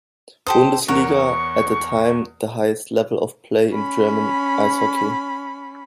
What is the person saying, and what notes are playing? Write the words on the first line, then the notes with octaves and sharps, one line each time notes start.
Bundesliga, at the time the highest level of play in German ice hockey.
G4 A4 C5 D#6
E2 A#4 C#5 F#5 C#6
C#4 B5